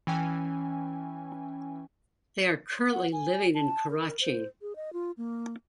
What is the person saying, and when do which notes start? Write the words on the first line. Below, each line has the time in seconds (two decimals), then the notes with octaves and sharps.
They are currently living in Karachi.
0.07 E3 C#4 G5 G#5
2.92 F#5
3.13 G#5
3.55 A5
3.90 A#4
4.21 C5
4.62 G#4
4.76 D#5
4.93 F4
5.17 A#3